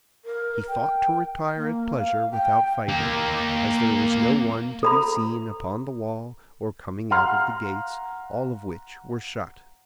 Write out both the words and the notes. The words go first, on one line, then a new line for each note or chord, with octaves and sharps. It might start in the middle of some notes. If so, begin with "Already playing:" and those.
He thought to retire at pleasure without fighting, as there was no one to be seen upon the wall or coming out of the gates, all of which were shut.
A#4
G5
A#3
F5
G5
A#3 G4
A4 A#5 B5
F5 F#5 A#5 C6 F6